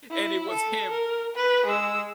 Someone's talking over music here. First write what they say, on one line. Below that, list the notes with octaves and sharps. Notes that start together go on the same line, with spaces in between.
And it was him.
E4
A4
A#4
B4
G#3 E6